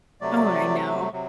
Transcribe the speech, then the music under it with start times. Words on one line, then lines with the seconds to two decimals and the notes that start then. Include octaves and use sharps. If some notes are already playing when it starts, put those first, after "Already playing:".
Oh, and I know.
0.21 C3 F#3 A3 D5
1.13 C3 F#3